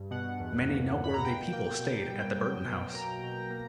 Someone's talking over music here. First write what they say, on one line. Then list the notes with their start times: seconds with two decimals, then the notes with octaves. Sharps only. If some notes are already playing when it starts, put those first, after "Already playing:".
Many noteworthy people stayed at the Burton House.
Already playing: G2
0.11 B2 F#5
0.40 E2
0.69 A#3
0.96 A#3
1.04 B5
1.14 A#5
1.25 B2 G5
1.52 A#3 G5
1.81 B2
2.10 G3
2.38 F#3
2.66 B2
2.94 A#3 A#5
3.23 B2
3.50 A#3